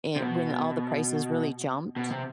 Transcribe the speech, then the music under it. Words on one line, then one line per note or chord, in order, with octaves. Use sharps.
an when all the prices really jumped
C3
B2
B2
C3